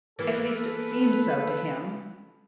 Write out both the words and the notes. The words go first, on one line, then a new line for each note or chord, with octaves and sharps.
At least, it seemed so to him.
E3 A#3 B3 A4 B4